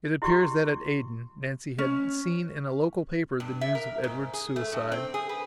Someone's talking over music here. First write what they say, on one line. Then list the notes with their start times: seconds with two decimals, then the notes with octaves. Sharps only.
It appears that at Aden Nancy had seen in a local paper the news of Edward's suicide.
0.22 E4 F#4 G4 C#6
1.78 C#4
3.40 G2
3.61 E5
3.75 A#4
4.04 G#2
4.33 G#4
4.56 A3
4.72 G2
4.92 C4
5.14 G#4
5.29 B4